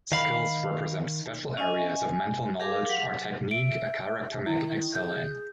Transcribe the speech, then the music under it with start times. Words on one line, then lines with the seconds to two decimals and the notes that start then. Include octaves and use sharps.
Skills represent special areas of mental knowledge or technique a character may excel in.
0.12 D#3 F5 B5
1.57 C#4 D#5 E5 G#5
1.89 G#5
2.60 G4 G#4 A#4 F5 D6
2.89 F#3
3.51 E5 D7
4.47 D#3 E4
4.95 G#4 G6